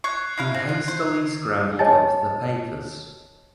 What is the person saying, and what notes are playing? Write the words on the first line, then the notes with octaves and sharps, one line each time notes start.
He hastily scrambled up the papers.
C#6 F#6 G#6 C7
D#4 E4 F5 C7
C4
F4
C5
C#5 D#5 G#5 A5 A6